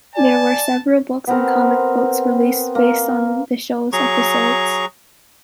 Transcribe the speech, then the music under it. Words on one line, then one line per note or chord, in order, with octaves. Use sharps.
There were several books and comic books released based on the show's episodes.
D5 G#5 A5
B3 C4 A#4
A#3
F#3 G#4 A#5 C#6